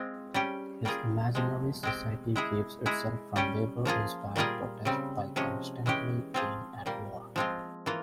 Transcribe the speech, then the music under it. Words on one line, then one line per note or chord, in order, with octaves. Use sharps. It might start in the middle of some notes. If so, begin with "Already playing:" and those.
His imaginary society keeps itself from labor-inspired protest by constantly being at war.
Already playing: G#3 C4 F4
G3 C#4 G4
G3 A#3 F4 G#4
C3 F3 G#3
G#3 C4 G4
G#3 E4 G#4
G#3 E4 G#4
G3 C#4 G4
F3 A#3 F4 G#4
A#2 G3 A#3 F4 G#4
C#3 G3 C4
C3 F3 G#3 C#4
E3 G#3 C#4 G4
F3 C4 F4 G#4
A#2 G3 A#3
F3 G#3 C4 F4
E3 A#3 F4